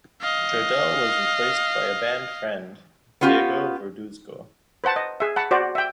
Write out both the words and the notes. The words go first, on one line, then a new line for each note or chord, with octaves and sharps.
Jardel was replaced by band friend Diego Verduzco.
D#5 F5
B3 C#4 F4 G4
B4 C5 F#5 A5
D#5
G#4 E5
F#5 A5 B5
F#4 C5 D5
E5 G5